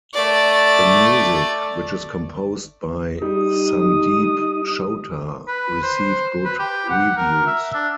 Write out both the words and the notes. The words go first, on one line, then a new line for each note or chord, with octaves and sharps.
The music, which is composed by Sandeep Chowta, received good reviews.
A3 D5
G3 D#4 D#6
B4
C5
B4
G4
F#5
A#4
E5
D4